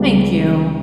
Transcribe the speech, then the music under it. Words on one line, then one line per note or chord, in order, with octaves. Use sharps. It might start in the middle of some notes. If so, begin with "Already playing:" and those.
Thank you.
Already playing: C#2 C#3 G3 B3